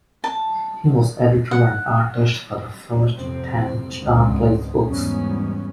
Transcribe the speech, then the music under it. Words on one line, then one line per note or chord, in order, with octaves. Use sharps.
He was editor and artist for the first ten "Starblaze" books.
A5
F#5
F2 A2 C3 C4
G#1 C#2 D3 G#3 B3 C4
E2 G#2 G3 B3 C#4